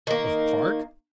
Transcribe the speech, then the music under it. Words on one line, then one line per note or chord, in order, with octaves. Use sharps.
"Of park?"
D#3 A#3